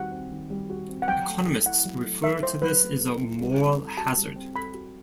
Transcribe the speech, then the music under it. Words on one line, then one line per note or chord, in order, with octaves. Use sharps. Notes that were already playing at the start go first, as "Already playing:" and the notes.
Economists refer to this as a moral hazard.
Already playing: D#3 G3 C4 F#4 F#5
C4
D#3
G3
F#4
C4
F#5
F#3 G5
A3
A4
E4 F#5
F#3
A3
A4 E5
E4 C5
F#3 B4
A3
A4
E4
G3
C4
A4
F#4 A5
G3
C4
A4 B5
F#4